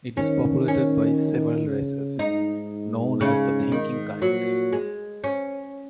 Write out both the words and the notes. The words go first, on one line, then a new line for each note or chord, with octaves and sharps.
It is populated by several races, known as the "Thinking Kinds".
D#3 C#4
C#4
C#3
G#2 D#4
C#3
D#3
A#2 F#3
G#3
C#4